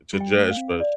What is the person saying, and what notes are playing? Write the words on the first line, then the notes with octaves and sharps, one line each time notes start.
To Jazz Fest.
G3
G5
A3
F5
C4
D5